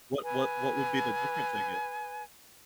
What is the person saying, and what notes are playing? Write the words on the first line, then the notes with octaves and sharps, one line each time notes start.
What what what would be the difference, I gue
B4 G#5